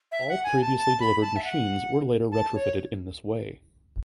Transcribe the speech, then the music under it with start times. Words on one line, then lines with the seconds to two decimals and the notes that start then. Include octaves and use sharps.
All previously delivered machines were later retrofitted in this way.
0.12 E5
0.29 F#5
0.44 G#5
0.61 A5
0.77 A5
1.00 B5
1.21 A5
1.36 E5
1.44 F#5
2.32 A5
2.54 C#5